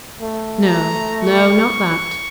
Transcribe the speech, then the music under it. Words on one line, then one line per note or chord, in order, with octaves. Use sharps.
No, no: not that.
A3
A#5
C#6